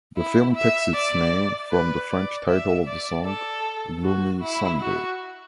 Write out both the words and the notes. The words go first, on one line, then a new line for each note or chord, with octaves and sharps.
The film takes its name from the French title of the song "Gloomy Sunday".
E4
E5
D5
B4
D5
E5
D5
A4
F#4
E4
F#4